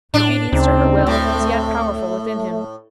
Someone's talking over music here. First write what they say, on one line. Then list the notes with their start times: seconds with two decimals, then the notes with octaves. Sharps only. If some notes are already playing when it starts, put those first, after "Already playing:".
Obedience to her will was yet powerful within him.
0.14 A2 D4
0.53 D2 C#3 C4 D#4
1.07 A2 A3